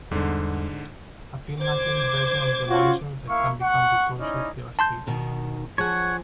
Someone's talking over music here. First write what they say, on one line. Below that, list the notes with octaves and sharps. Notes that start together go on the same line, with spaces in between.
A film-accurate version of Demolishor that can become the torso of Devastator.
E2 G#2 D3 G3 A4
C5 D6 G#6
C#4 F4 F#4
A#3 E4 F5 C#6
F#5 C#6
C#4 D#4 E4 D5
A5 C6 G6
B2 D#3
F3 G#4 C#5 F#5